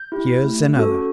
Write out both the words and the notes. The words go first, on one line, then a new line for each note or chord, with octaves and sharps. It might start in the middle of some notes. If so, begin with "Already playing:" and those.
"Here's another."
Already playing: G6
E4 G4
A3
C#4 F#4 A4